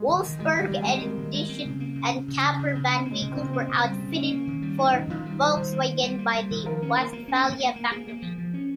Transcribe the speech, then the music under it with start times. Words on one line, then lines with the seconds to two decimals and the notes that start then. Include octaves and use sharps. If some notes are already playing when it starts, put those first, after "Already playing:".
Wolfsburg Edition and camper van vehicles were outfitted for Volkswagen by the Westfalia factory.
Already playing: G#3
0.08 D#3
0.24 D#3
0.39 D#3 G#3
0.56 D#3 G3
0.71 D#3
0.81 G#3
0.86 C4
1.02 G#3 A#3
1.18 D#3
1.34 G#3
1.49 C4
1.65 C#3
1.80 A#3
1.96 C#3
2.12 C#3
2.28 C#3
2.44 C#3
2.59 C#3
2.75 C#3
2.91 A#3
3.05 A#3
3.11 G#3
3.22 C#3
3.32 C4
3.37 C#3
3.53 A#3
3.69 C#3
3.85 G3
3.99 C#3
4.15 A#3 C#4
4.31 A#3
4.47 D#3
4.62 G3
4.78 A#3 D#4
4.93 D#3
5.10 D#3 F4
5.26 G3
5.41 G3 C5
5.57 D#3
5.72 A#3
5.88 A#3
6.03 G3
6.19 A#3
6.35 G3
6.51 D#3
6.65 F3 A#4
6.82 C#4
6.97 A#3 A#4
7.13 A#3
7.28 C#4
7.44 A#3
7.60 A#3
7.76 A#3
7.91 A#3 G#4
8.07 A#3
8.22 F3
8.38 F3
8.54 C#4